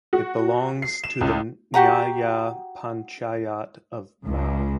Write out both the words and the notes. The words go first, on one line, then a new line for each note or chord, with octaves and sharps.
It belongs to the nyaya panchayat of Mau.
F#4
C7
E7
C#2
F#4 G4 F#5 A#5
C#2